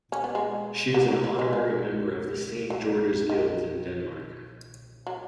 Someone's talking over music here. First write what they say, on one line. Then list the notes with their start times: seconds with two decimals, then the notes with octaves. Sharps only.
She is an honorary member of the Saint George's Guilds in Denmark.
0.12 C#4
0.24 B3
0.35 G#3
0.94 B3
1.08 F#3
1.24 F#3
1.39 G#3
1.53 G#3
2.70 F#3
3.30 D#3
5.07 F#3